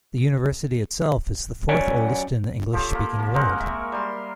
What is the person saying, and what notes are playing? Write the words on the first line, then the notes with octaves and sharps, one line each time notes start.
The university itself is the fourth oldest in the English-speaking world.
F#2 C#5 D5 G#5
F3 G4 A4 C#5
A#3
A#3 A5
G#3 C4 A#4 F#5
E5 C#6
G3 C6